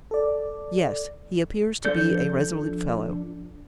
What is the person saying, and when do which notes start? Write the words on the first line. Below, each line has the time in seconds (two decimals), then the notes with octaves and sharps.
"Yes; he appears to be a resolute fellow."
0.11 A4 D5
1.85 F3 D4 A4 G6